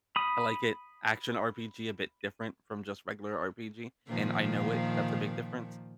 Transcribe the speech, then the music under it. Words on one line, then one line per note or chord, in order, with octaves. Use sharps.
I like it. Action RPG, a bit different from just regular RPG, and I know it. That's a big difference,
B5 D#6
A#2 D#3 F3